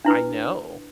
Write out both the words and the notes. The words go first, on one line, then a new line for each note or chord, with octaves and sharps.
I know.
D4 E4 B4